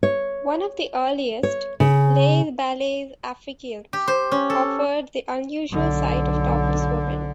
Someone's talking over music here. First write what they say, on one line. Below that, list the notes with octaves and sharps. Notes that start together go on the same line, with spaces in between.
One of the earliest, Les Ballets Africains, offered the unusual sight of topless women.
C#5
C#5
C#3
G4
C5
C#4
A4
B1 D3